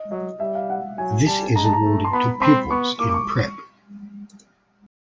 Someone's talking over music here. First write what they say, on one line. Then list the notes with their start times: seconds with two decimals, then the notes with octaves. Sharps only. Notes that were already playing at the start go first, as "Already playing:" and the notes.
This is awarded to pupils in Prep.
Already playing: D#5
0.11 F#3 D#5
0.40 G3 E5
0.55 F5
0.70 F#5
0.98 F#3 G#5
1.26 G3 A5
1.56 G#3 A#5
1.65 A5
1.73 A#5
1.84 A3
2.05 C6
2.13 B3 B5
2.41 C4 C6
2.70 B3 C#6
2.99 A#3 D6
3.09 D6
3.14 C#6